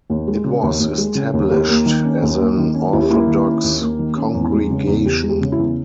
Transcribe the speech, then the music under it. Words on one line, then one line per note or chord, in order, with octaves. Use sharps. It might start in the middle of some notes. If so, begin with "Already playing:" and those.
It was established as an Orthodox congregation.
D#2
G#3
C#3
D#2
D#2
G#3
C#3
D#2
D#2 G4
A#3
D#3
C#4
D#2
A#3
D#3
C#4
D#2 E4
G4
A#3 E4
D#3
C#4
D#2
A#3
D#3
C#4
E2
G#3
C#3
E2
E2 G4
G#3
G4
C#3
E4
E2